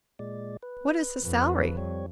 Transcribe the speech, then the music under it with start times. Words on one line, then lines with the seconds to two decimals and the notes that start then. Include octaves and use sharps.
"What is his salary?"
0.19 A#2 G#3 D5
0.63 B4
1.25 F2 B4
1.77 G3 C4 C#5